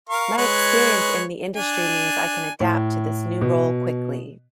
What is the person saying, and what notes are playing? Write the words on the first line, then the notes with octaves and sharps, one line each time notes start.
My experience in the industry means I can adapt to this new role quickly.
A#4 F5 C#6
G#3 B4 C#5
D4 G#5
A2
B2